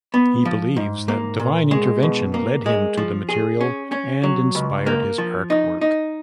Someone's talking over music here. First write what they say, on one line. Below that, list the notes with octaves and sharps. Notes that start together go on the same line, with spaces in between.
He believes that divine intervention led him to the material and inspired his artwork.
B3
F3
G#2
A#3
A#2
G#3
B2
A#3
G#3
F3
G#4
C#4
C#4
F#3
C#2
A#3
F3
D#4
D#4